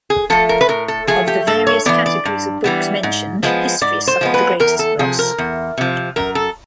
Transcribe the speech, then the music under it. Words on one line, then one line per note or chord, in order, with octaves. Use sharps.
Of the various categories of books mentioned, history suffered the greatest loss.
G#4
F3 A3 A4
A#4
B4
A2 A#4
A4
F3 A3 G#4
G4
G2 A4
C#5
E3 G3 B3 D5
D5
G2
E3 G3 B3
G#2
F3 G#3 B3
G#2 D5
C5
F3 G#3 B3
B4
E2 A#4
A4
C3 F3 G#4
A#4
E2
C3 F3
F#2 A#4
A4